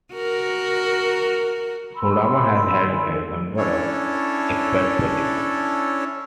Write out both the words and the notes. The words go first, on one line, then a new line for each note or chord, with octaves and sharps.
Sotamaa has held a number of expert positions.
F#4 A#4
G#5 B5 C6 E6
C#4 D4 E4 A4 C#5